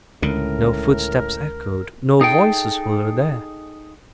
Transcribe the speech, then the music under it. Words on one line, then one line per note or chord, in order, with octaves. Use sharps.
No footsteps echoed; no voices were there.
C#2 A2 D3 A#4
D#4 G#4 A4 G5